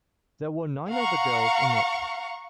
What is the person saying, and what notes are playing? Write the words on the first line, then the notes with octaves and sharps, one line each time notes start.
There were nine other girls in it.
F5 F#5 A#5 C#6